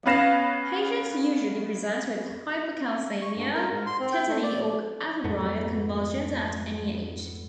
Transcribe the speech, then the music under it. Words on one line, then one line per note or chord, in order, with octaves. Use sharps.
Patients usually present with hypocalcaemia, tetany, or afebrile convulsions at any age.
B3 C#4 B4 F5 A#6 E7
C#6
G2
A#4
G#2
C6
C4
G5
A3
D5
F2 G#2 A3 B3